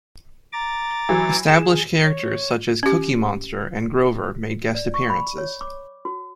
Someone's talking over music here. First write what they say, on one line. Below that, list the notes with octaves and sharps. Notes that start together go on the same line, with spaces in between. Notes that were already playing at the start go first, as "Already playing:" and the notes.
Established characters such as Cookie Monster and Grover made guest appearances.
A#5 D6 A6
E3 F#3
G#4 E7
C#5
C#4 G4
D5
C#6
B5
C#5
D6
F#4